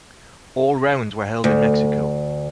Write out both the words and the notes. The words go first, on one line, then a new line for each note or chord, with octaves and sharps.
All rounds were held in Mexico.
D2